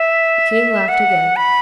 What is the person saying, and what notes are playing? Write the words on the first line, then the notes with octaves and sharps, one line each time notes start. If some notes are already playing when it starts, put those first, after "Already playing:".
The king laughed again.
Already playing: E5
F#5
B5